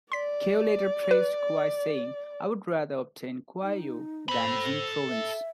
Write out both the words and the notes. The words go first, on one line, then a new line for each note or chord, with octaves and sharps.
Cao later praised Kuai, saying, I would rather obtain Kuai Yue than Jing Province.
D5 C6 B6
B4
D#4
A4 C5 B5
E5